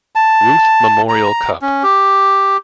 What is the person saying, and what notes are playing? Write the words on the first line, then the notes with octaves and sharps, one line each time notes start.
Ruth Memorial Cup.
A5
A#5
C#4
G4